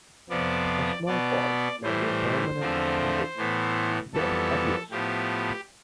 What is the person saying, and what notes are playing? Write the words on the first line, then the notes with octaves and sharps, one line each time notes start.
A small fold, namely a permanent wrinkle, then appears.
F2 C3 F3 B3 D5
B2 B3 D5
A2 E3 G3 C5
E2 D3 F3 A3 C4
A2 E3 B3
F2 E3 G3 B3 A4
A2 F3 B3 G4